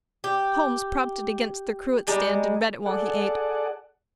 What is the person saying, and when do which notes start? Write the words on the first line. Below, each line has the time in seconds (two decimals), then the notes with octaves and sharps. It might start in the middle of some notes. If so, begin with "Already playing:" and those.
Holmes propped it against the cruet-stand and read it while he ate.
0.24 G4
2.07 G3 G#3 A#5
2.86 G#4 A4 D5 F#5